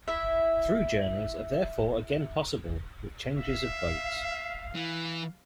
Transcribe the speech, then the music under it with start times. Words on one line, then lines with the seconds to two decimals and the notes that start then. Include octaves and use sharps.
Through journeys are therefore again possible, with changes of boats.
0.08 E4 E5
3.38 E5 F5
4.75 E3